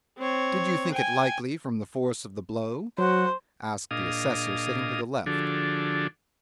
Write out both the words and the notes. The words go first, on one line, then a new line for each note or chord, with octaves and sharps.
Did you think it likely from the force of the blow?' asked the assessor sitting to the left.
C4 C#5
G5 G#5
F#3 F#4 C5
A#2 D4 G#4 D#5 F5 D#6
D3 F3 D4 F#4 G#4 A4